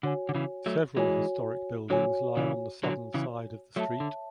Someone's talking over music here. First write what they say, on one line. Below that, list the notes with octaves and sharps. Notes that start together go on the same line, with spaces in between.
Several historic buildings lie on the southern side of the street.
D3 F#4 C#5 G#5
D3
C#3 E3
F#3 A3
E3 G#3 F#4 C#5 G#5
D3 F#3 F#4 C#5 G#5
C#3 E3
D3 F#3 F#4 C#5 G#5
C#3 E3
F#3 A3 C#5 E5 A5
D3